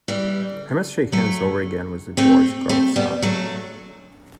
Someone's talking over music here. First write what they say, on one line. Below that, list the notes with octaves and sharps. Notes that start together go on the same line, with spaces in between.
I must shake hands over again with George's godson.
E3 G3
F#3 A3
A3 C4
A3 C4
G3 B3
F#3 A3